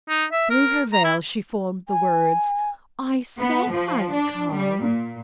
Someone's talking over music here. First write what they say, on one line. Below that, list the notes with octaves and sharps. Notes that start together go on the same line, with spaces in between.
Through her veil she formed the words: "I said I'd come."
D#4
E5
A#4
A#5
E4
G#5
B3
F3
D4
G3
A#2